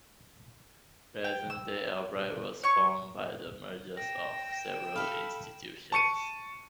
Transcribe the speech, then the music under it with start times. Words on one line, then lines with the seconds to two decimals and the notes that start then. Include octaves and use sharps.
Present-day Albright was formed by the mergers of several institutions.
1.24 G5
1.50 E6
2.63 C#5 C#6
3.97 G5 A#6 E7
4.95 A4 F5 B5
5.92 A5 C#6 C#7 D#7